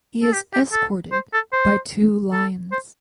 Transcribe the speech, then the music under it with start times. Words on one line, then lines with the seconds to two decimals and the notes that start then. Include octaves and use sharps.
He is escorted by two lions.
0.23 A4
0.33 G4
0.53 G4
0.72 A4
1.12 C5
1.33 A4
1.53 C5
2.32 A4
2.72 C5